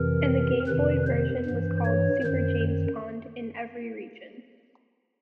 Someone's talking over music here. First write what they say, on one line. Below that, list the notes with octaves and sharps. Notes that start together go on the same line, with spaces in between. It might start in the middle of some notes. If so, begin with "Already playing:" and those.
And the Game Boy version was called "Super James Pond" in every region.
Already playing: F2 C3 E3 A#4
F2 C3 D#3 B4
C5
G2
E3
C#5
F#2 D#3 C5